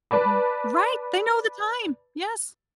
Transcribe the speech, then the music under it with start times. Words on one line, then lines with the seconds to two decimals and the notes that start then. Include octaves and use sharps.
Mhm. Right, they know the time! Yes,
0.11 B4 D5 A5 B5